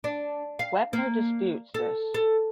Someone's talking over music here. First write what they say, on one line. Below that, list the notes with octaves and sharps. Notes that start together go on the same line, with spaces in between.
Wepner disputes this.
D4
F5
A#3
A4
A4